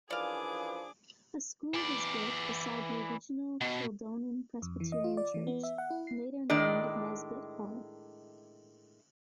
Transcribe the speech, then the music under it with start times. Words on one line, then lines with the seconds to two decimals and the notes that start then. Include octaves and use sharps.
A school was built beside the original Kildonan Presbyterian Church, later named Nisbet Hall.
0.10 F#2 E3 F3 D4 G#4 D5 F5 D6
1.74 E3 D5
3.61 B2
4.62 F2
4.80 E3
4.92 D#5
5.04 F4
5.17 D5
5.34 E3
5.47 B3
5.63 E5
5.78 F#5
5.90 E4
6.07 C7
6.50 A2 D#3 G#3 D4 D5